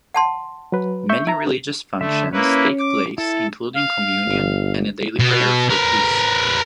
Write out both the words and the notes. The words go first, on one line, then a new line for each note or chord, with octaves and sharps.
Many religious functions take place including communion and a daily prayer for peace.
F#5 A5 C6
F#3 B4
E5 C#6 G6
D#4 E5 A#5
D3 A3 E5
A#3 C#4 E4 B4
D6
E4 A4
F5
G1
B2
A#4 B4